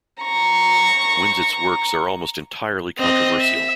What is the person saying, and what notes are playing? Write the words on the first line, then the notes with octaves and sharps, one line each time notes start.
Winzet's works are almost entirely controversial.
A#5 C#6
C4 D#5
E5